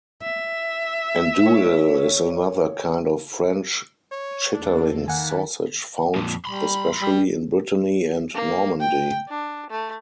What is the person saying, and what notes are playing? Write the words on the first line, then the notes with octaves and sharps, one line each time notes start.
Andouille is another kind of French chitterlings sausage found especially in Brittany and Normandy.
E5
C#5
C#5
E2 A#3 D4 A4
D#3 A#3 F#5 G#5 A5 B5
F2 A#2
G3 B5 C6
G3
A#3
G5
D4
A3